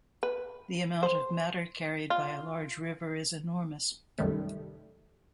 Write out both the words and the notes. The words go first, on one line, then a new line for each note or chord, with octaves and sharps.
The amount of matter carried by a large river is enormous.
B4
C5
F4
C2 F#2 D#3 G3 A3